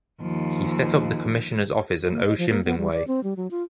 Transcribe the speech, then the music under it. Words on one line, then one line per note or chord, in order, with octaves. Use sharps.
He set up the commissioner’s office in Otjimbingwe.
D#2 F3
A#3
D#5
F3
A#3
B3
G3
D5
C4
G3
F#3
F4